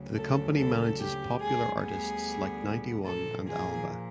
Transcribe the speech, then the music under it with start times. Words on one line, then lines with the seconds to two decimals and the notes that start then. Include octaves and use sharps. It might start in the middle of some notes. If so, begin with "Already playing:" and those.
The company manages popular artists like Ninety One and Alba.
Already playing: D2 C#3 F#3
0.15 A4
0.56 A4
0.99 G4
1.40 D2 D3 G3 B3 G#4
1.82 G#4
3.07 A#2 F3 A#3 A4
3.48 G#4